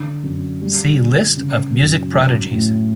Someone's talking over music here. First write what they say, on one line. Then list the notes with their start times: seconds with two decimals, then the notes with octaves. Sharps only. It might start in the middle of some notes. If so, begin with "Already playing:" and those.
See List of music prodigies.
Already playing: D3
0.24 F#2
0.62 G3
0.99 D3
1.37 C#3
1.75 F#2
2.13 F#3
2.51 A2